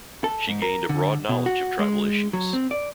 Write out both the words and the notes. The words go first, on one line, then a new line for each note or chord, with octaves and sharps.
She gained a broad knowledge of tribal issues.
A4
G#2
A#4
D3
B2
F#4
G#3
F#3
C4
D5